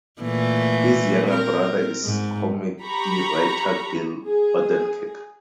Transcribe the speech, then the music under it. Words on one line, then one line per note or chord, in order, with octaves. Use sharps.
His younger brother is comedy writer Bill Odenkirk.
A#2 E3 A3
C4 A#4
G#2
G4 A#5 B5 C#6
G#4